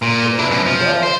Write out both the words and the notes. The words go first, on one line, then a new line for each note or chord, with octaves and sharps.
And then if you don't
A#2
D4 E4
F#2 B2
F3
C5